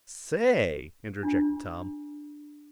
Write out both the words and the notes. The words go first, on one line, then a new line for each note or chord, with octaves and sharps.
"Say," interjected Tom.
D4 F4